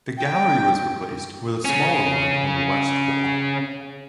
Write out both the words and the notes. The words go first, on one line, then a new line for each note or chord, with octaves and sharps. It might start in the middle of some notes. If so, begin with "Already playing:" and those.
The gallery was replaced with a smaller one on the west wall.
G5
C#3 C#4